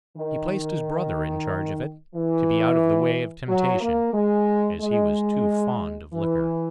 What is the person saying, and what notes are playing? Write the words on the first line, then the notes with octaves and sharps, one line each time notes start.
He placed his brother in charge of it, to be out of the way of temptation, as he was too fond of liquor.
D#3
E3
F#3
A#3
G#3
G#3
E3